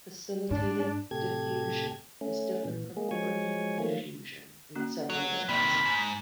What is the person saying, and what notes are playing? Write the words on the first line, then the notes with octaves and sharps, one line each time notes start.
Facilitated diffusion is different from free diffusion in several ways.
G#2 D4
A2 C3 G4 A4 G#6
A3 C#4
A#2 E3
G#3 A#3 G#4
F3 F#3 G#3 G#5 C#6
D#3 F3 F#3 A3 A#3
A#3 C#4 F#4
F#3
C3 D#3 A#3 D5 E5 B5
G#2